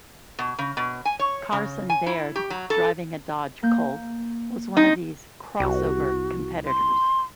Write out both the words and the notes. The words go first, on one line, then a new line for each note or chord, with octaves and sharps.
Carson Baird, driving a Dodge Colt, was one of these 'crossover' competitors.
B2
C#3
B2
G#5
C#5
C#3
G#5
E4
G4
F#3
A4
A#3 G6
C4 D#4 G6
C2 F#4
C6